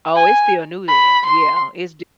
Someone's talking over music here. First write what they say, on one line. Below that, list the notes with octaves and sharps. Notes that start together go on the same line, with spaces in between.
Oh, it's still new then, yeah, it's d
G#5
B5
C6